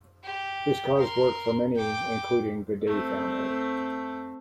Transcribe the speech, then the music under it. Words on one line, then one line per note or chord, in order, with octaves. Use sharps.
This caused work for many, including the Day family.
G4
A#4 C6
G5 D6
A3 C4